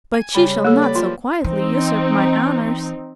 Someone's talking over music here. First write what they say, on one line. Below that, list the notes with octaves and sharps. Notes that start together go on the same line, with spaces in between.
But she shall not so quietly usurp my honors.
G#5
C#3 G3 B5
A#3 A4
B4 D5 B5
F3 F4
E3 C4 D#4